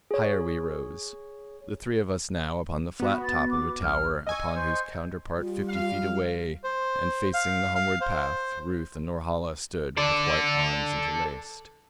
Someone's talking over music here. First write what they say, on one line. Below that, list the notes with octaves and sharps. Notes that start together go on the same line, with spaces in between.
Higher we rose; the three of us now upon the flat top of a tower upon whose counterpart fifty feet away and facing the homeward path, Ruth and Norhala stood with white arms interlaced.
G#4 C#5
B3 F#4
A6
D6
B1 F6
D#5 G#5 C#6 E6
C5
G3 F4
F5
C5
F5
F5
C5
A4 D5